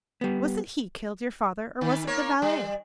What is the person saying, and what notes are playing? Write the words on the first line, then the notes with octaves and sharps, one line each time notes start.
Was it he killed your father or was it the valet?
G3 B3
D#3
A#3 C#5
G3